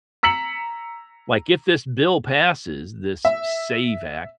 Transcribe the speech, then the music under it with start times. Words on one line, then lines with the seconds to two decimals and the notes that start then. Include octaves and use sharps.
Like, if this bill passes, this SAVE Act,
0.23 A#5 E6 B6 C#7 F#7
3.25 E5